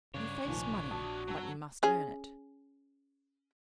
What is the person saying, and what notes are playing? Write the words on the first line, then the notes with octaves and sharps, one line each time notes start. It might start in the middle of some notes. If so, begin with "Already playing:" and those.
You face money, but you must earn it.
G2 C#3 D4 C#5
F1 A#1 D#2 F3 G#5
F#4 A5 D#6
G2 F#3 A5 E6
C#4 G#4